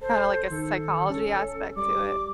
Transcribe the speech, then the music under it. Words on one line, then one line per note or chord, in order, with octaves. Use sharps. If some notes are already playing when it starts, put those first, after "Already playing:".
kinda like a psychology aspect to it.
A4 C5
D#3 A4
C#4
G3 D6